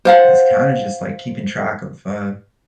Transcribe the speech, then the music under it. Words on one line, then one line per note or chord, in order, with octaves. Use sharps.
is kinda just, like, keeping track of, uh,
C5 F5 F#5